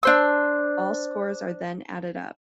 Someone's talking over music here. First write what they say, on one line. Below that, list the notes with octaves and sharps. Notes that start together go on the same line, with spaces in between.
All scores are then added up.
D4 C5 E6